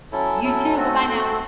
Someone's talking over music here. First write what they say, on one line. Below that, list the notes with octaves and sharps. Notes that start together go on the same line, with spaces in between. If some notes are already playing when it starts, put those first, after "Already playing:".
You too, bye-bye now.
F#3 C#4 E4 A4
F#3 C#4 E4 A4
A3 C4 F#4 A4
A3 C4 F#4 A4